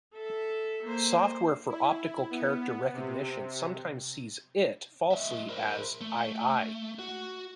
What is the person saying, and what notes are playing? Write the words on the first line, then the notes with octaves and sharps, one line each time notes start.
Software for optical character recognition sometimes sees it falsely as "ii".
A4 E5
A#3 C5
E4
B3
C3
G#3 E5
A#4 C5
A3
F#4